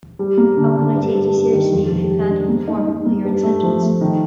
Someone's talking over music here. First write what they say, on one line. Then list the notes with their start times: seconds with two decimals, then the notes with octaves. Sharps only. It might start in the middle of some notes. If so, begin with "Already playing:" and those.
How can I take you seriously if you can't even form a coherent sentence?
0.19 G3
0.37 A#3
0.57 D3
0.76 D3
0.95 G2
1.14 G2
1.34 G2
1.53 D#3
1.72 F2
1.91 C3
2.11 G3
2.30 D4
2.48 A#3
2.68 D#4
2.87 D#4
3.06 A#3
3.24 G2
3.43 A3
3.63 F3
3.82 A3
4.01 D#3